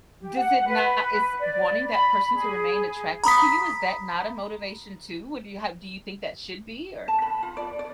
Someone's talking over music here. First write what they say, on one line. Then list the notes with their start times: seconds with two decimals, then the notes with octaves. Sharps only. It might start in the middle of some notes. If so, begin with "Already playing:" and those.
does it not is wanting that person to remain attracted to you, is that not a motivation too? What do you have do you think that should be or
0.20 G4
0.35 F#5
0.66 B4
1.40 D5
1.87 B5
2.33 G#4
3.24 A#5 B5 D#6 B6
7.08 A5
7.22 B5
7.43 F4
7.57 D5
7.79 D5